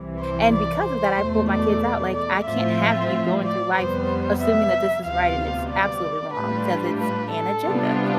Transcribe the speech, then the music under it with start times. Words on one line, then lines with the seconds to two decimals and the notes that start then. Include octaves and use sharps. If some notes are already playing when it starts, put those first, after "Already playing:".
and because of that, I pulled my kids out, like, I can't have you going through life assuming that this is right and it's absolutely wrong because it's an agenda,
Already playing: C2 C3 E3
0.20 C5
0.52 D5
0.84 C5
1.17 E2 B2 A3
1.49 D5
2.13 D5
2.45 A2 F3 C4 F4 E5
3.44 D5
3.75 F2 C3 G3 B3 C5
4.40 E5
5.04 D2 C3 G3 B3 F4 F5
5.69 D5
6.34 A2 G3 D4 F4 B4
6.98 B4
7.31 A4
7.64 C3 G3 B3 D4 F4